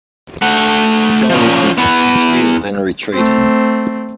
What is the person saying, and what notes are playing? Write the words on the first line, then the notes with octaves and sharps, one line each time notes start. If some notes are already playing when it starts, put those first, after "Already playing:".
John I of Castile then retreated.
A3 F#5
F3 C#4
B3 E4
A3 C4